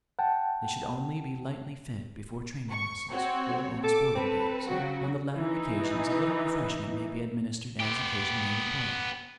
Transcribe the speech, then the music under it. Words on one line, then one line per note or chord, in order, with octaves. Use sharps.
They should only be lightly fed before training-lessons, or on sporting days; on the latter occasions a little refreshment may be administered as occasion may require.
F#5 G5 A5
C#6
C4 F#4 C#5
A4 D6
C4 A4 B4
C#3 F#3 F#4
E3 D#4
B3 G4